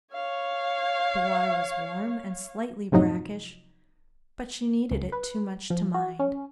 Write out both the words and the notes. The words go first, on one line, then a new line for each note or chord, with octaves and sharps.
The water was warm and slightly brackish, but she needed it too much to mind.
C#5 F5
F#2 A2 C3 F3 F#3 D#4
C#2
B4
F3
F#4
C#4